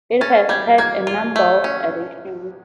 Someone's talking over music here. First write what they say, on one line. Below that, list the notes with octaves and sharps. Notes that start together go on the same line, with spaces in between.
It has had a number of additions.
C#4 A6
G3 G#6
A#3 G#6
F4
A3
C#4